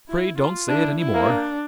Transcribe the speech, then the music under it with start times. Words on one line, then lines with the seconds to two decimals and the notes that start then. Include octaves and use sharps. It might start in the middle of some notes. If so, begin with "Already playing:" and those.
"Pray don't say it any more."
0.09 E4
0.39 F4
0.69 D4 E4
1.00 E4
1.14 A#3
1.30 D4